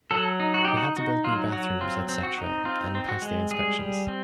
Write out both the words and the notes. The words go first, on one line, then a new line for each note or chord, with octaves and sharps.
We had to build new bathrooms, etc., and pass the inspections.
F#3 A4
D#4
F#4
D#4 G4
F#4
D#4 F#4
F#3 F4
F#3 F#4
C4 F4
C4
F#4
D#4
C4 F4
C4
F#4
G#3
G3 G#4
G3
C4